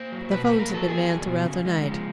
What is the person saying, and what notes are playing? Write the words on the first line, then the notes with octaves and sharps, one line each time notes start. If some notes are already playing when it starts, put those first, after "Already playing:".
The phones had been manned throughout the night.
Already playing: A#3 C5
F#3
B2 B4
B4
A#3
A#4
F#3
A4
E2 G#4
F#3
B2
C#3
G#3
F3